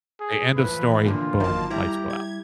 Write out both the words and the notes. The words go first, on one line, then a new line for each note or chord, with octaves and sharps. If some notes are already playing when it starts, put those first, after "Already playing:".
Say, end of story, boom, lights go out.
G#4
A2 E3 F3 B4
A#2 D3 F4
G#1 F#2 D#3 F3 A#3 A5
G3 E4 G4 A#5
G#6